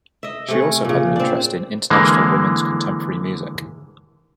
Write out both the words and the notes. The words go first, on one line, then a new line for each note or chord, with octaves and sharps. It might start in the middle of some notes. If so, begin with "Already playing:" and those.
She also had an interest in International Women's Contemporary music.
D#5 E5
C3 A3 C#4
A#2 C#3
C4 D4
D3 E3 G#3 A#3